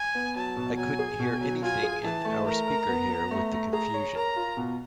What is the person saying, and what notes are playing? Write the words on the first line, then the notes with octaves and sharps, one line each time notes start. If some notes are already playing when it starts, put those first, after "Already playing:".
I couldn't hear anything in our speaker here, with the confusion.
Already playing: G#5
B3
F#3 A5
B2
F#3 G#5
G#4
B2
F#3
F4 G#5
G#4
E3 A5
A3
A#4 A#5
A#4
B3
B3
A3
A3
G#4 A#5
C#5
A#4 A#5
F4
B2